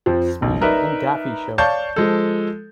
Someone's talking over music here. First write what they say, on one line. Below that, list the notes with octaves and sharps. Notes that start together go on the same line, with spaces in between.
Speedy and Daffy Show.
F2 F3
F#1 B1
D#4 A#4 B4 D5 E5
C#5 D5 F5 A5 C#6 G6
F3 G#3 A4